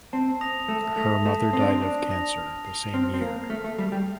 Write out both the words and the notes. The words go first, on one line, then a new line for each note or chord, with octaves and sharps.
Her mother died of cancer the same year.
C4 A5
D#6 A#6 F7
A3 A5
A3 D#6 A#6 F7
A3 A5
C4 D#6 A#6 F7
D4
C4
D4 A5
D#6 A#6 F7
F6
C7 F7
C4 F6
C4
A#3 C7 F7
A3 F6
A3
G3 C7 F7
G3